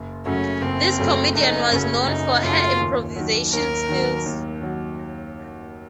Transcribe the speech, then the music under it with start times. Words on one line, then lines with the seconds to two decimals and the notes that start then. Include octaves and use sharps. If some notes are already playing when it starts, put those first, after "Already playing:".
This comedian was known for her improvisation skills.
Already playing: F#1
0.26 F#2 C#3 F#3 A3 C#4
0.62 F#1 C4
0.98 F#2 C#3 F#3 A3
1.35 F#1 D#4
1.71 F#2 C#3 F#3 A3 C#4
2.07 F#1 D#4
2.43 F#2 C#3 F#3 A3 F4
2.80 D#2
3.16 D#3 F#3
3.53 D#2 A#4
3.89 D#3 F#3
4.26 D#2
4.61 D#3 F#3